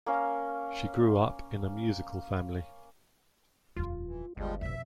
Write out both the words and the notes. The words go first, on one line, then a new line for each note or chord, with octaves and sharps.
She grew up in a musical family.
A#3 C#4 F5
D#1 F2 F4
E3
G1 D#2 F3 G3 G#3
F2 B2 E5